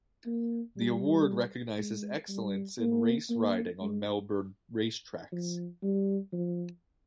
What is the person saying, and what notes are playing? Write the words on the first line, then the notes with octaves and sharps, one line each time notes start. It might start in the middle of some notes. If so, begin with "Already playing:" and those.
The award recognises excellence in race riding on Melbourne racetracks.
A#3
G3
G#3
G3
A#3
A#3
G#3
F3
G3
F3